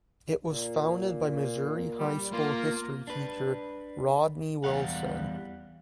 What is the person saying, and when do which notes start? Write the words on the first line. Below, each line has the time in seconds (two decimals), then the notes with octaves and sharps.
It was founded by Missouri high-school history teacher Rodney Wilson.
0.47 A#2
1.99 G3
2.32 A#3 F4
3.07 D4 B4
4.64 E2 C#3 G3 F5 F#5